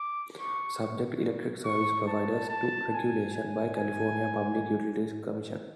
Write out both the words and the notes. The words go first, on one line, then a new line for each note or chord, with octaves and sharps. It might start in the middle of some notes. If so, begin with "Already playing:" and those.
Subjects electric service providers to regulation by California Public Utilities Commission.
Already playing: D6
C#6
C#6
A5
A5
G#5
G#5
G#5